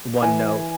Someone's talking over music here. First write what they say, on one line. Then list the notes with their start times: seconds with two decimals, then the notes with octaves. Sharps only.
one note,
0.22 E3 G#5